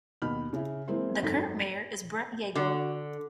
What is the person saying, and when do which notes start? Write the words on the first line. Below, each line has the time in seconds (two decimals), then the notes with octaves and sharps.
The current mayor is Brett Yagel.
0.22 D#2 B2 B5 F6
0.53 C#3 E4
0.88 E3 G#3 A#3 C4 E4 C5
1.22 G#1 F#2 D#4 A4 B6
2.55 D3 F#4